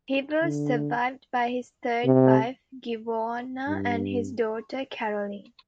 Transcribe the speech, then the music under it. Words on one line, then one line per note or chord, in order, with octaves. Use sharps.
He was survived by his third wife Giovanna, and his daughter Caroline.
D3
C3
G2